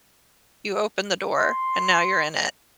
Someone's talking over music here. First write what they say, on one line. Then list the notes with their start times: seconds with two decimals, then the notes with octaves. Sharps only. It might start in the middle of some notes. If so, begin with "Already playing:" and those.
You opened the door, and now you're in it.
1.39 C6